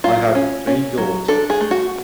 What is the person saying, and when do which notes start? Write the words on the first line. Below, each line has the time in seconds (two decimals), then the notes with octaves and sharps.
I have three daughters.
0.04 F#3 F4
0.35 C#4
0.67 C#4
0.98 F#3
1.28 D4 A4
1.50 G#4
1.61 A3
1.71 F#4